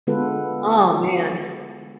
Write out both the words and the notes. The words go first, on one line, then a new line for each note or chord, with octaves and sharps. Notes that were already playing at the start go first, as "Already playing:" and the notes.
Oh, man.
D3 G#3 B3 F4 A4 B4